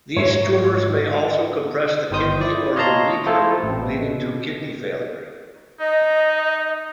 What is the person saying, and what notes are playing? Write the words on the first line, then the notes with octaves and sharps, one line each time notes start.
These tumors may also compress the kidney or ureter leading to kidney failure.
G#2 C#5 E5 F5
G1 D#3 C5 D#6 G6
E4 D5
C#5 D#5 F5 A5 A#5 C6
F3 A3 E4 F4 A4 C5
A1 C4
B2
D#4 D#5